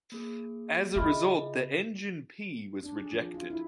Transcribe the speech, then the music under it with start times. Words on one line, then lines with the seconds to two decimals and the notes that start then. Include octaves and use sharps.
As a result the "Engin P" was rejected.
0.12 A#3 G#4
0.96 C#3 F4 G#4 D#5 E5 B5 F6
2.83 D4
2.99 G#4
3.13 F3
3.34 F4
3.50 E4